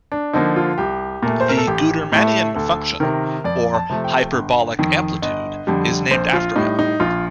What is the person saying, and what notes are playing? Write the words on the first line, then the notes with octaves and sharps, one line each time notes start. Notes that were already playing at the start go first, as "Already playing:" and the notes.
The Gudermannian function, or hyperbolic amplitude, is named after him.
D4
D3 F3 A#3 D#4
F4
C2 G4
A#2 A3
C5
A#4
A4
A1 G4
A2 A3
D2 A4
C3 D#3 A#4
F2 D5
A5
C3 F3 A3
G5
G1
F2 D#3
G1 D#5
F2 D3 G3
A#1 C5
F4
A2 G3 D#4
D#4
A#1 F4